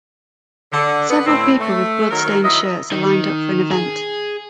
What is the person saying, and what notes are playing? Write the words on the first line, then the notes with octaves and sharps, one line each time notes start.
Several people with blood stained shirts are lined up for an event.
D3
B3
A2 C4
A3
D#3 F#3 A#4
D#3 F#3 E4 D#5
D#3
G#4